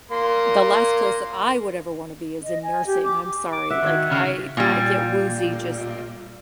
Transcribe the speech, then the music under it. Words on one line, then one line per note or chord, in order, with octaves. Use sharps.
the last place that I would ever wanna be is in nursing, I'm sorry, like, I'd I get woozy just
A#3 C6
D#5
G#5
G4
D6
D6
E5 F#5
D#3 F#4 G#6
C#3 F6
A#2 G3